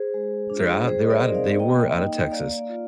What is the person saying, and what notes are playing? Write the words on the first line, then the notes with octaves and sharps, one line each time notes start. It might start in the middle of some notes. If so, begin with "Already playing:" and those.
they're out they were out of they were out of Texas,
Already playing: G#4 C5
G#3
D4
F4
G3 G#4 C5
D#5
A#4 D5
C4 D#4
D5 F5
A#3 D#5 G5
D#4
A#3 D5 F5
F4